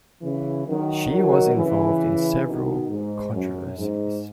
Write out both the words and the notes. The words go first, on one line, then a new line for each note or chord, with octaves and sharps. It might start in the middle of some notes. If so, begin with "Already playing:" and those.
She was involved in several controversies.
C#3 E3
D#3 F#3
D#3 F#3
C#3 E3
B2 D#3
G#2
F#2
G#2